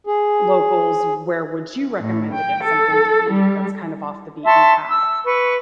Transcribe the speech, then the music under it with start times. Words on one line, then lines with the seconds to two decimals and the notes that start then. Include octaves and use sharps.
locals, "Where would you recommend to get something to eat that's kind of off the beaten path?"
0.07 G#4
2.00 A2
2.33 G5
2.65 A4
3.29 G3
4.46 E5 A5 C6 C#6
4.91 E6
5.25 B4 C#6